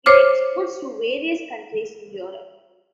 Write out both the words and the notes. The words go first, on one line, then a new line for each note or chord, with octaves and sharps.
It exports to various countries in Europe.
C5 C#5 D6 F6